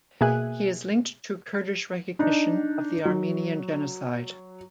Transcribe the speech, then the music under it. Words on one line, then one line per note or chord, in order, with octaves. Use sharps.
He is linked to Kurdish recognition of the Armenian genocide.
B2 A#3 G#4 E5 G#5 F#6
D4 D#4
F#3